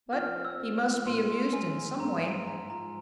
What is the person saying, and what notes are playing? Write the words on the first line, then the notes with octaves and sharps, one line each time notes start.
But he must be amused in some way.
F3 F6
C4
E6
C4
F3
A#2 C6
G#3
G#3 G#5
G#3
G#2 A#5
G#3 G#5
G#2 A#5
F3 A#5